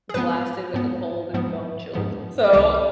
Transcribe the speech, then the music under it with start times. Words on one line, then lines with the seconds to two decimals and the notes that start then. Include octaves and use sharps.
blasted with a cold and bone chilled? So
0.09 G#4
0.14 G#2 F3 B3 B4
0.74 G#2 F3 B3
1.34 G#2 F3 B3
1.94 G#2 F3 B3
2.53 C2 C3 D#3 G3 G4